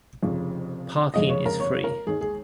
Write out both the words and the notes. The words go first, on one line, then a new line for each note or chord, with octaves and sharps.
Parking is free.
F1 F2 C#3 F3
F1 F2 C#3 G#3 F4 D#5
C#5
A#4
C#5
A#4
D#2 D#3 G#3 D#4 G#4
G#4